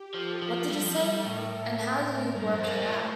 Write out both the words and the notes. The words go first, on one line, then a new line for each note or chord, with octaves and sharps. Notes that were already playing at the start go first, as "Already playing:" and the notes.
What did he say, and how did he work it out?
Already playing: G4
F3 A4
F3
G3
F3
G3
A2 A#4
G2 C5
F2
G2
A#2
A2